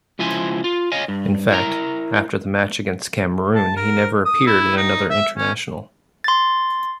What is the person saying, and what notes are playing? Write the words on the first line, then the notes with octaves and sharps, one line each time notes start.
In fact, after the match against Cameroon, he never appeared in another international.
C#2 F3 E4 C5 G#5
F4
C#5 D#5 F5 G#5
G2
E4 A#4 A#5
A5
A#4
D#6
E4
D#4
E5
C#4
C6 A6